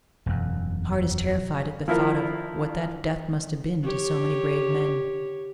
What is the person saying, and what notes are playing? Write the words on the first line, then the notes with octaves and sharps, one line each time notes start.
The heart is terrified at the thought of what that death must have been to so many brave men.
E1 F#2
F3 E4 F4 A#4
G4 C#5